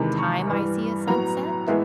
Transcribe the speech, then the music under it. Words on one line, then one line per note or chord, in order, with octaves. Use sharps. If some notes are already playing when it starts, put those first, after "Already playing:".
time I see a sunset.
Already playing: E2 C3 D#3 G#3 B5
C#6
G2 E3 G3
A2 F#3 B3 A#5
A2 E3 G#3 B3 E5